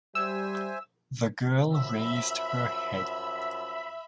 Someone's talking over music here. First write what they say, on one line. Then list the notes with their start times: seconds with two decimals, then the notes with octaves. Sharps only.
The girl raised her head.
0.15 G3 C5 E5 G#5 E6
1.72 F#2 F3 E5 B5 E6